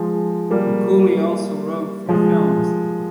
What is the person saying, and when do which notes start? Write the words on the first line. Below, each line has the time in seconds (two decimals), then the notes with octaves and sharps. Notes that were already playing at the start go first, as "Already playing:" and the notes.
McCulley also wrote for films.
Already playing: F3 G#3
0.51 G3 A#3
2.09 F3 G#3